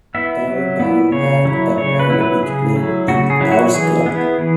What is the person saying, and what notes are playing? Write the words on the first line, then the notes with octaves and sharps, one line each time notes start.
Every town had a Band which played in the town's square.
B3 E4 E5
F#3
B3 E4
C#3 C#5
F#3 E4
C#3 C#5
B4
F#3 E4
B4
C#3 G#4
F#3 E4
C#3 F#4
G#4
F#3 E4
F#4
E3 G#4
B3 E4
E3